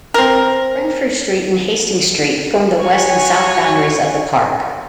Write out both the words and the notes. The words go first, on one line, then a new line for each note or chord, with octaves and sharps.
Renfrew Street and Hastings Street form the west and south boundaries of the park.
C4 A#4
F#4 C#5 G#5 C#6